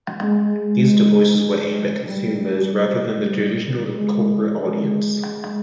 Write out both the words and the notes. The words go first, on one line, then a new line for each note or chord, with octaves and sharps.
These devices were aimed at consumers, rather than the traditional corporate audience.
G#3
G3
G#3